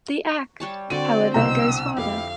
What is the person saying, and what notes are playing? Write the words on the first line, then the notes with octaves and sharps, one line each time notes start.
The Act, however, goes further.
G3 C#5 A5
D3 C4 F#4 D5 D#7
C2 B2 A#5 E6
F2 E4 G4 F5